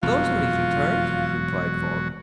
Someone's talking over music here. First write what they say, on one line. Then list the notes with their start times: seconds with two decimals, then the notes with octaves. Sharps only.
"Those are easy terms," replied Falk.
0.03 E1 F2 E3 F#3 F4 F#4